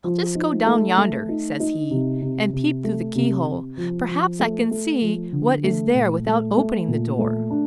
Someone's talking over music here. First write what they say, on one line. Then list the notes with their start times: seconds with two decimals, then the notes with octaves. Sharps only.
"I'll just go down yonder," says he, "and peep through the key-hole; perhaps I can see what is there without opening the door."
0.04 F3
0.35 D#4
0.67 A3
0.98 A3
1.29 D#4
1.60 D#4
1.91 C3
2.22 C3
2.53 C3
2.84 A3
3.15 C3
3.47 C3
3.77 F3
4.08 F3
4.40 A3
4.71 A3
5.02 F3
5.32 D3
5.64 A3
5.95 A#2
6.26 A3
6.57 A3
6.88 A#2
7.19 A3
7.51 D4